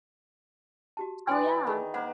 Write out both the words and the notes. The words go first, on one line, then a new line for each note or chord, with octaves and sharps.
Oh, yeah.
F#4 G4 A5
E3 B3 D5 G5 G#5 C6
D#3 G#4 B5
A#3 B4 C5 F#5